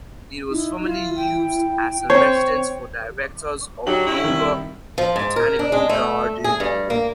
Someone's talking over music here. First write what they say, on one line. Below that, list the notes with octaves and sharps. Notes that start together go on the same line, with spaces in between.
It was formerly used as a residence for directors of Bogor Botanical Garden.
D#4 E4
E4 F4
G5
C4 C5 C#5
F#3 D4 G4 F#7
C#4 E4
C2 C3 D#3
F3
G#2
A#4
D4
G#3
A3
G#4
G2
A#3